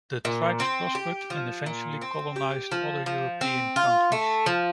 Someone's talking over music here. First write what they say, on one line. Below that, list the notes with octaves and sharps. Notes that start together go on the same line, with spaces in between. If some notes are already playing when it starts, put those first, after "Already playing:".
The tribes prospered, and eventually colonised other European countries.
A#2
C4
G4
F3
A#2
C4
G4
F3
F3
C4
F4
A3
F3